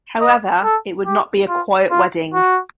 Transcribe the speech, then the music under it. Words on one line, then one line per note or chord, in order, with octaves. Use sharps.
However, it would not be a quiet wedding.
D#5
A4
G4
F4
F4
F#4